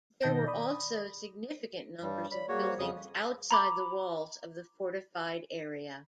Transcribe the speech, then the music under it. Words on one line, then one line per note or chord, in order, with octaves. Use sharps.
There were also significant numbers of buildings outside the walls of the fortified area.
B2 D#3 D#5 A5 G6 A#6
D5 B5 D#6
G2 G3 C#5
C#5 D5 B5
G3 A#3 F#4 G#4 C#5
C5
F2 C#3 D#6
A#5 B5 D6